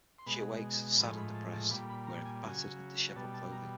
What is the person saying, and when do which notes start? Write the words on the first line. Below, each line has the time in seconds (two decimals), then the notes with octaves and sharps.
She awakes, sad and depressed, wearing battered and disheveled clothing.
0.19 C6
0.26 B2 G#3 B5
0.99 A2 F3 G#3 B5
1.17 B5
1.35 A5
1.53 A5
1.70 A#2 G3 B5
1.89 B5
2.07 A#5
2.25 G#5
2.43 C#3 F#3 G#5
3.16 B2 G3 A5
3.34 A5
3.52 A#5